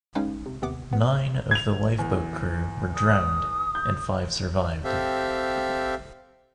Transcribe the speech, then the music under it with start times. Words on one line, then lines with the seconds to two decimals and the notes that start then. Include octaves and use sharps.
Nine of the lifeboat crew were drowned and five survived.
0.15 G#3 C#4 D#4 B4 F5 G5
0.46 C3
0.62 D#2 C3 B3 F#5 D6
0.93 B3
1.51 G#6 F7
1.99 E2
2.95 D#6
3.75 G6
4.84 C4 G4 A4 E5 F5